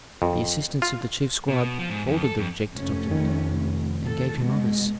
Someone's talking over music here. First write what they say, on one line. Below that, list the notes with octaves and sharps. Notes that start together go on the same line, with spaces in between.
The assistants of the chief scribe folded the rejected document, and gave him others.
F2
F4
B2
F3
G#2
F2
A4
F2
F1 A3 C#4
D#3
A4
B2 G#3